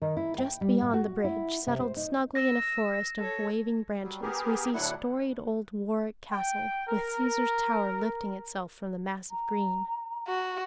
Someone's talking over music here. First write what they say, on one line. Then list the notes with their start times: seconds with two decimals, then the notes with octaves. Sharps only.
Just beyond the bridge, settled snugly in a forest of waving branches, we see storied old Warwick Castle, with Caesar's Tower lifting itself from the mass of green.
0.02 D#3
0.17 E4
0.38 G5
0.61 G3
0.81 A2
0.93 F#4
1.24 E4
1.67 C3
1.80 C5
1.96 D#4
2.35 E6 A#6
3.19 A4 C#5
4.02 F#3 G3
4.22 B3 G4 G#4 A#4
4.74 D2 A2 F#3 D4 E4 F#5
6.31 G5
6.87 A#4
9.31 A#5
10.27 F#4